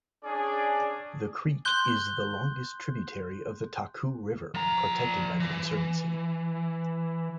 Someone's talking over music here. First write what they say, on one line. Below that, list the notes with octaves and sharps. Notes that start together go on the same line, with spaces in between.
The creek the longest tributary of the Taku River protected by the conservancy.
C#4 D4 G#4 D5
C6 F#6 G6 G7
F3 A#5
E3